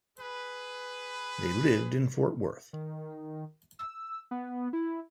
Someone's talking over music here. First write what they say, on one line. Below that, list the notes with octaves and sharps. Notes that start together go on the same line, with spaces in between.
They lived in Fort Worth.
G#4 B4
D#3
E6
B3
E4